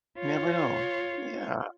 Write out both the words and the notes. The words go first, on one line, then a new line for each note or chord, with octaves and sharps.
You never know, yeah.
F4 C#5